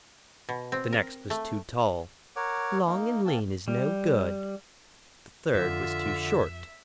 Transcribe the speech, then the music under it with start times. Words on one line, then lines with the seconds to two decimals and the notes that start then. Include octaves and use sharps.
The next was too tall. 'Long and lean is no good!' The third was too short.
0.49 B2
0.72 C4
0.93 A#4
1.30 A3
2.36 A#4 C#5 F#5 D6
2.87 A#3 D#4
3.26 A#3 C4 A5
3.68 G3
5.54 F2 D3 F4 E5